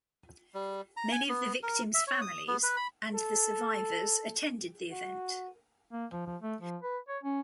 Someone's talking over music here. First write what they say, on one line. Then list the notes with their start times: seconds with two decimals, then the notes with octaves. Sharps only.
Many of the victims' families and the survivors attended the event.
0.54 G3
0.97 A#5
1.12 G#5
1.29 B3
1.63 A#4
1.94 E5
2.07 C#5
2.22 D#6
2.48 B3
2.63 B4
2.77 B5
3.15 A4
4.91 F#4
5.91 A#3
6.12 F3
6.26 F3
6.42 A3
6.61 F3
6.82 B4
7.08 C#5
7.23 C#4